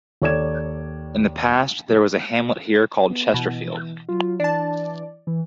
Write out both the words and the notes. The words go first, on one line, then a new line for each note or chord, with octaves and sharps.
In the past there was a hamlet here called Chesterfield.
D#2 A4 C#5 D5 G#6 E7
B3
B2 E3
F#3 F4
E3 D4 D5 A5
E3